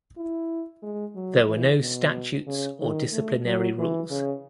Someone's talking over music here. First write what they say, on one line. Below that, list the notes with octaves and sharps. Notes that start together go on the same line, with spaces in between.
There were no statutes or disciplinary rules.
E4
G#3
F#3
E3
B2
C#3
D#3
A3
F#3
E3
C#3